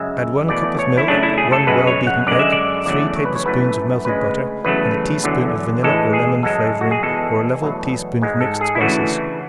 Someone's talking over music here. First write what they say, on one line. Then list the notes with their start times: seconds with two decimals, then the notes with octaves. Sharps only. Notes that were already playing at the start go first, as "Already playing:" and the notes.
Add one cup of milk, one well beaten egg, three tablespoons of melted butter and a teaspoon of vanilla or lemon flavoring or a level teaspoon of mixed spices.
Already playing: F#2 C#3 G#3 E5
0.48 E2 B2 A3 D5
0.79 C#5
0.97 E4
1.08 F#2 C#3 F#3 A3 D4
1.23 E4
1.38 G#4
1.52 A4
1.67 F#2 C#3 G#3 B4
1.87 C#5
2.07 F#5
2.27 F#2 D3 G#3 D5
2.39 E5
2.52 D5
2.86 E2 C#3 F#3 A3 D5
3.16 C#5
3.25 B4
3.36 C#5
3.46 F#2 E3 A3 B4
4.05 D2 C#3 G#3 B4
4.65 E2 C#3 F#3 A3 B4
5.24 E2 D3 F#3
5.83 A2 E3 G#3 A4
6.13 G#4
6.43 F#2 C#3 G#3 A4
6.81 F#4
6.91 G#4
7.02 E2 B2 G#3 A4
7.62 E2 B2 F#3 A3
8.22 G#2 G#3
8.41 A4
8.61 G#4
8.75 E4
8.80 D2 C#3 E3 A3 F#4